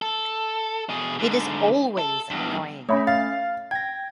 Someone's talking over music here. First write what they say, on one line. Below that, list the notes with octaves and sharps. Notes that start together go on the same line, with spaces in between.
It is always annoying.
A4
B2 G#4
G#2 D3
A4
E2 G2
A3 C#4 C#5 E5 B5
F5 A6
G5 G#6 A#6